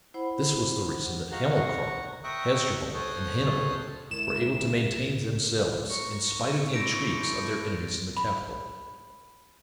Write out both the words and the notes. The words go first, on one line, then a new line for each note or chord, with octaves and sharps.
This was the reason that Hamilcar, Hasdrubal, and Hannibal were able to maintain themselves in spite of the intrigues of their enemies in the capital.
E4 C5 F#5 B5
D#4 F#4 F5 F#5 A#5
F#5 A#5 C#6
E5 G5 A#5 C#6 D#6 F#6
A4 C5 C#5 C6 D#6 F#6
C#2 E4 A#4 E7
A#5 C#6
E4 A4 C5 D5 A#6 D7
B5